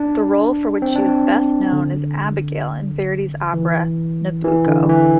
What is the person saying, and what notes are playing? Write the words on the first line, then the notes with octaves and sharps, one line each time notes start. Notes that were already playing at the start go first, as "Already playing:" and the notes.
The role for which she is best known is Abigaille in Verdi's opera "Nabucco".
Already playing: D4
C4
D4
C4
D3
E3
E3
D3
E3